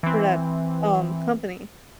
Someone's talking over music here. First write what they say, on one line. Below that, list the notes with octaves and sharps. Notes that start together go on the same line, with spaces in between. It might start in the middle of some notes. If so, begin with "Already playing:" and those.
for that, um, company.
E3 C4